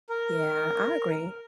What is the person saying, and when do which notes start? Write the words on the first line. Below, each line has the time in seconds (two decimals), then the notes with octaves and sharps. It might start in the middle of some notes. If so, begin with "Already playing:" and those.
Yeah, I agree.
0.10 A#4